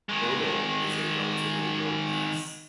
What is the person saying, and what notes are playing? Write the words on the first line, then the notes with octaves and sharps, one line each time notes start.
Broghol is a relatively low pass.
D#3 G#3